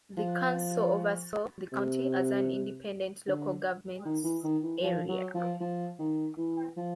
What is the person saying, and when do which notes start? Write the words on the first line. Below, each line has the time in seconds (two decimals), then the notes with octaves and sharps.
The Council oversaw the county as an independent local government area.
0.17 F3
1.72 C3
3.27 D3
4.05 D#3
4.24 E3
4.44 D#3
4.63 E3
4.82 F3
5.08 F#3
5.34 F3
5.60 F3
5.99 D#3
6.37 E3
6.77 F3